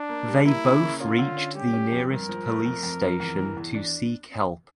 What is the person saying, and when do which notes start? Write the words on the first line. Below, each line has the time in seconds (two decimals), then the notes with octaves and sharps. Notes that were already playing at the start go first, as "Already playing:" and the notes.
They both reached the nearest police station to seek help.
Already playing: D4
0.09 A#3
0.28 G3
0.45 A#3 E4
0.64 C#3
0.82 A#3
1.00 C#4 F4
1.18 D3
1.37 C#4
1.55 G3 G4
1.73 C#4
1.92 F2
2.10 G2 A#4
2.29 F3
2.46 A3
2.66 F2
2.83 F2
3.02 F2
3.20 E2
3.39 E3
3.57 E2
3.75 D4